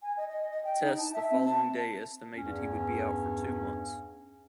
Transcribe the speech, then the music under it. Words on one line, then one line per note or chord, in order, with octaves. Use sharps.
Tests the following day estimated he would be out for two months.
G#5
D#5
D#5
D#5
G5
D#4
A5
E5
C4
A5
E2 G2 C#4